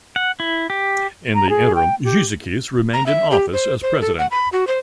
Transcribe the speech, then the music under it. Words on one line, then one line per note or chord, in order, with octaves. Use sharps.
In the interim, Gizikis, remained in office as President.
F#5
E4
G4
A#5
G#4
G5
G4
A#5
E5
G4
C5
C5
A4
F#5
B5
F#4
C5